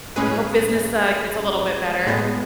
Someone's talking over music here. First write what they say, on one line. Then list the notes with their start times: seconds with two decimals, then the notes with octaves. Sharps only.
I hope business, uh, gets a little bit better.
0.16 A2 G#3 C#4 G#4 B4
2.07 A2 G#3 B3